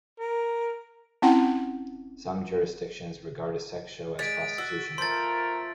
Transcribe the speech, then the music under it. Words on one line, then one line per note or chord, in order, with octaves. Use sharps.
Some jurisdictions regard a sex show as prostitution.
A#4
C4 C#4 E4 F#5 G5 C6
G#3 A6 B6 D7
F#4 E6
F3 A3 A#4 C6 A6